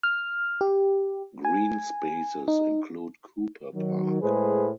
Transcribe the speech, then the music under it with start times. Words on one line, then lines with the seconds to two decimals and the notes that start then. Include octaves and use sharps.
Greenspaces include Cooper Park.
0.03 F6
0.61 G4
1.45 G#5
2.48 D#4
3.75 D#3 F#3
4.22 A2 G#3 G#4 B4 C5